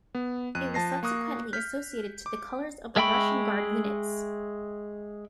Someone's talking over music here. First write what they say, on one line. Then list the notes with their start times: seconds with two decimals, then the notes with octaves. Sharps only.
It was subsequently associated to the colors of the Russian Guard units.
0.15 B3
0.55 F2 F#6 D#7
0.74 F3 A5 A#6 C7
1.03 A#3 C#6 D#6 F#6
1.53 F6 G6 B6
2.26 D6
2.96 G#3 E5 G5 B5 C#6